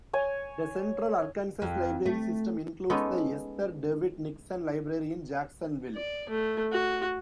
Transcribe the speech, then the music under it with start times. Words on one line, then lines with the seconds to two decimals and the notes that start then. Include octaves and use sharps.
The Central Arkansas Library System includes the Esther Dewitt Nixon Library in Jacksonville.
0.13 C#5 G#5
1.62 F2
2.06 A3
2.90 G#3 B3 C#4 D#4 A4
5.96 D5
6.30 A3
6.72 F#4